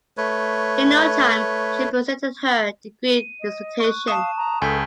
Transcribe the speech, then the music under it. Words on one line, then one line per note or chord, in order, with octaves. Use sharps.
In no time she presented her degree dissertation.
A3 B4 C#5
D#7
D#5
C#6 F#6
F5 A5 C#6 D#6 E7
A#5
C#2 A4 G#5 G6 B6